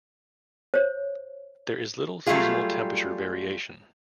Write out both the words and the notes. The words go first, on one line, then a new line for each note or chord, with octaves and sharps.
There is little seasonal temperature variation.
C5 C#5
F#3 G3 A3 E4 F4 G#4